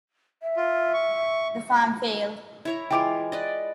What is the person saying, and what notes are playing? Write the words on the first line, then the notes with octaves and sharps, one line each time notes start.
The farm failed.
E5
F4
C#6
E4 C#5 A#5
E3 G#3 F4 G5 D6 D7
B4 D5 D#5